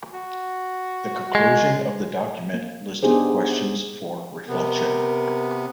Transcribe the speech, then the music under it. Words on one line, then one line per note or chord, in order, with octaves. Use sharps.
The conclusion of the document listed questions for reflection.
F#4
G#3
A#3
B3 D4 D#4 G4 G#4 C5
C3 B3 A#4